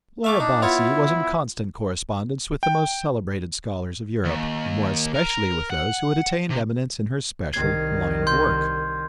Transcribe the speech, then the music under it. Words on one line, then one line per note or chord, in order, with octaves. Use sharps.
Laura Bassi was in constant correspondence with the most celebrated scholars of Europe, and more especially with those who had attained eminence in her special line of work.
A3 E5 F5 D6
D4 D#4
B3 E4 F4 C#5
G5
D#2
A#4
F#5
C3
C2 D#3 G#6 C7
C6 G6